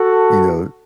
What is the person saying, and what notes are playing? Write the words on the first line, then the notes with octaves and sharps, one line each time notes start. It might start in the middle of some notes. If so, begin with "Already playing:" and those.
you know,
Already playing: F#4 A4